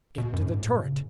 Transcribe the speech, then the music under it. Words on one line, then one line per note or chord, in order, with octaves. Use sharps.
Get to the turret!
B2
F#2
G#2
A2
B2
C#3